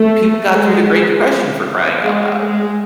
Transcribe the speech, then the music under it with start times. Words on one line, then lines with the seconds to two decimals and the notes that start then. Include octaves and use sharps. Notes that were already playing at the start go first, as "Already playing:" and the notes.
people got through the great depression for crying out loud.
Already playing: A3
0.51 G#3
2.02 G#3
2.40 G#3